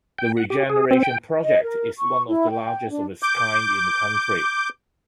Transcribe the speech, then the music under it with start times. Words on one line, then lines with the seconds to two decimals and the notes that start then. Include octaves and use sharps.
The regeneration project is one of the largest of its kind in the country.
0.19 G5
0.37 F#5
0.50 G4
0.69 G#4
0.91 C4
1.03 G5
1.40 D#5
1.64 A#4
1.98 C#6
2.28 E4
2.50 G5
2.89 D4
3.23 D6 G6